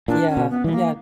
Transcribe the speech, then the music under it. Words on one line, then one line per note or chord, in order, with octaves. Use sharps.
Yeah, yeah.
A#2 D4
C#4
B2
B3
E3 G3
A#3